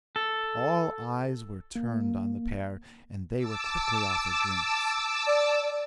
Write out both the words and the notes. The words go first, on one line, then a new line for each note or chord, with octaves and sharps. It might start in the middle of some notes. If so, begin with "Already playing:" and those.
All eyes were turned on the pair and they were quickly offered drinks.
A4
A#3
A5 D6 E6
D5